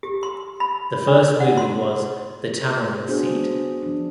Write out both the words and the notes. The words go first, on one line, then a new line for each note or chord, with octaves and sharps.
The first movie was "The Tamarind Seed".
G4
C6
B5
D4
F#5
C6
B3 D4 F#4 G#4 C5
F3 D4